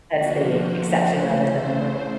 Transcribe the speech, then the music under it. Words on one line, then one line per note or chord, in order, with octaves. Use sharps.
that's the exception rather than the rule.
D3 F3 A#3 F#4
C5
C#3 E3 A3